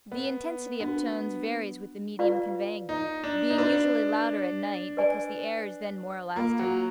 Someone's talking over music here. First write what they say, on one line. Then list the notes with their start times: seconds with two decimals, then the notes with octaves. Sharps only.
The intensity of tones varies with the medium conveying them, being usually louder at night because the air is then more elastic.
0.12 B3
0.80 B3 D4 F#4 A#4
2.19 F4 B4 D5 F5
2.89 D#4
3.24 D4
3.50 D#4
3.58 D4 F#4 B4 F5 B5
4.97 B4 D5 G#5
6.36 A#3 F4 A#4 F5 B5
6.59 F#3